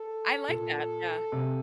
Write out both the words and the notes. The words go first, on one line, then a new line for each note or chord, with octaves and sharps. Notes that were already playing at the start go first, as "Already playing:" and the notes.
I like that, yeah.
Already playing: A4
A#2
C3